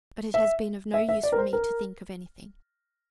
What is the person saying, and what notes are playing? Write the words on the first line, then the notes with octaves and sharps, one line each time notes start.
But it has been of no use for me to think of anything.
E5
E5
E5
D5
A#4
C5
A#4